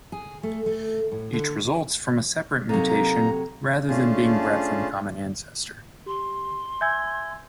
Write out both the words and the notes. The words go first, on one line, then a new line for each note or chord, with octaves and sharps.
Each results from a separate mutation rather than being bred from a common ancestor.
G#4
A3
A3
A2
D3
C3 F#3 A#3 D#4 A4 A#5
A3 C#4 D4 F4 G#4 A5
G4 C6
E5 G#5 E6 G6 G#6